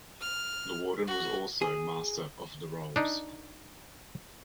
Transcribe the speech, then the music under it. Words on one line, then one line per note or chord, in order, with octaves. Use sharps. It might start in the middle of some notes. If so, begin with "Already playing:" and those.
The warden was also Master of the Rolls.
F6
F#4
G#4
D4 D#4